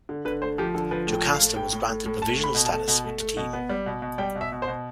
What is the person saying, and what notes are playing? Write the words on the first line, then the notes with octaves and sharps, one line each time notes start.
Jocasta was granted provisional status with the team.
D3
D3 B4
A3 C5
F3 G4
D3 A4
F3 B4
A2
G5
A2
F5
A3
A2 G5
A2
A2
A2
A3 A5
A3
B5
B2
A5
A3
B2
A3
A3
B2
B3
G3
B2
B2
G3 G5
B2
E5
B2
C5
B2